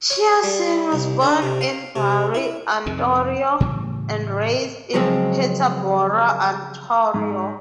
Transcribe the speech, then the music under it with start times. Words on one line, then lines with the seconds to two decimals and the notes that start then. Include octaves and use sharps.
Chiasson was born in Barrie, Ontario, and raised in Peterborough, Ontario.
0.10 C#5
0.43 G3
0.92 C2
1.21 D3
1.42 C3
1.61 F5
1.96 C3
2.35 E4
2.86 F2 C3 D#3
3.60 A2 C#3 E3 G3
4.94 C#3 F3 F#3 G#3 C4
7.14 G#2